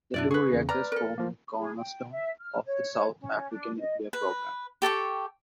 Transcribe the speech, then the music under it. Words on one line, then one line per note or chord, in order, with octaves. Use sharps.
The two reactors form the cornerstone of the South African nuclear program.
F#2 B2 D4 E4 D5
G#4 B4 C#6
E2 C#3
B4 D5 A#5 F6
A4 A#4
F3 A#3
G#4
G5
E5
F6
C#5
C#4
D4
D#5
B4
G4 A4 G5 C#6